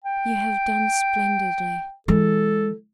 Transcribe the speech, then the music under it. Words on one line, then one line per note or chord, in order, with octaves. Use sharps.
"You have done splendidly."
G5
E3 G#3 A4